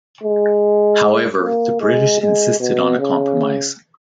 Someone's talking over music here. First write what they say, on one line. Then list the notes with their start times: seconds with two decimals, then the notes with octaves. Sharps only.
However, the British insisted on a compromise.
0.23 G#3
1.42 A#3
1.81 G#3
2.21 G#3
2.60 B2
2.99 C#3